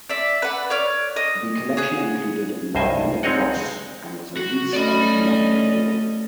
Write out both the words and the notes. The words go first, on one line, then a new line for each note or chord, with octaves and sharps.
The collection included "La Vie en rose" and was released on the Columbia label.
D5 E5
B4 F#5
C#5 D5 F6
D#5
G#4 F#5
C2 G2 C5 D#5 G#5
G#3 C4 D#4 C#5 D#5 F#5
F#4
A3 C#4 D5 D#5 B5